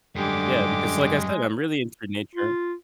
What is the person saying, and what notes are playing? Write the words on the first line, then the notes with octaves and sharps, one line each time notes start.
Yeah, because like, I said, I'm really into nature.
F#2 D3 G3 G#3 G4 D6
F4